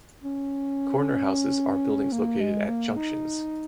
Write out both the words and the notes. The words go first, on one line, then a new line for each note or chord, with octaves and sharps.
Corner houses are buildings located at junctions.
C#4
A#3
G#3
A#3
D#4